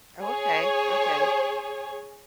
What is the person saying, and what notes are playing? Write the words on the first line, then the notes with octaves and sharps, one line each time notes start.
Oh, okay, okay.
G#4 C#5